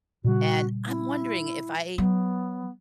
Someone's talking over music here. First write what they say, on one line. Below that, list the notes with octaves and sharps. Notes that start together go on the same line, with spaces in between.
and I'm wondering if I
A#2 C#3 G3 F#4
E4
F#3 B3